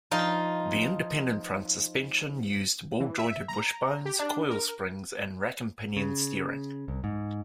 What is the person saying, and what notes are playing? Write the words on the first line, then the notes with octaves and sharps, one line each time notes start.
The independent front suspension used ball-jointed wishbones, coil springs and rack-and-pinion steering.
F3 D#4 F4
E3
E5
A#5
G4
D4
A#4
C#3
C2
G#2